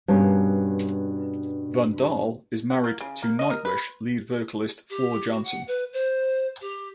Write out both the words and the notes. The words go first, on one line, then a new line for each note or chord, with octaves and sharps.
Van Dahl is married to Nightwish lead vocalist Floor Jansen.
G2 B2 A#3 C#4
F#5
A#3
C#3
A#3
D#5
A#4
B4
G4
F#4
F#5
B4
C5
G4